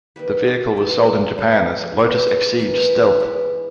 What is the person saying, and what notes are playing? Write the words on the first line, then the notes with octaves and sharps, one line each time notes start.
The vehicle was sold in Japan as 'Lotus Exige Stealth'.
D#3 G3 A#3 B4
G4
E3 G#3 B3 G4
G#4
A#4
B2 G3 A#3
E3 G#3 B3 A#4
G#4
E3 G#3 B3 A#4
B4
E3 G#3 B3 B4